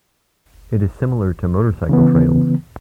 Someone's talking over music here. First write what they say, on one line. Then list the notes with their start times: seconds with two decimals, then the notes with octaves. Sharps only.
It is similar to motorcycle trials.
1.89 C#3 E3 B3